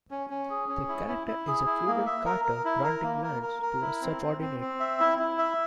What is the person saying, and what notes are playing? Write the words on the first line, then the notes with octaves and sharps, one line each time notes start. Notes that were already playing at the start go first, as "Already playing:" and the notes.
The charter is a feudal charter granting lands to a subordinate.
C#4
C#4
G#4
C#4
E4
E4
E4
G#4
E4
A#3
E5
A#4
A#4
E4
A#4
A#3
A#4
A#4
A#4
E4
C4
C4
C4
C4
E5
E4
E4
E5